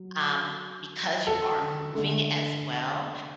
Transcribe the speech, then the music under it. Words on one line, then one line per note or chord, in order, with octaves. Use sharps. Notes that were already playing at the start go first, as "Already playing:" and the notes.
um, because you are moving as well.
Already playing: F#3
A4
D3 A3